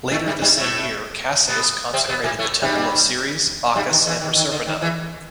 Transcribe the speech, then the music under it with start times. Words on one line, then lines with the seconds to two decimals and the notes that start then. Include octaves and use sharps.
Later the same year, Cassius consecrated the temple of Ceres, Bacchus, and Proserpina.
0.11 A2 A3
0.26 G2 G3
0.42 G2 G3
0.57 A2 A3
1.48 B2 B3
1.93 C3 C4
2.09 B2 B3
2.24 A#2 A#3
2.39 A2 A3
2.62 G2 G3
3.76 G2 G3
3.91 D#3
4.06 E2 E3
4.21 D#3
4.36 D#3
4.51 D3
4.67 D#3
4.82 E2 E3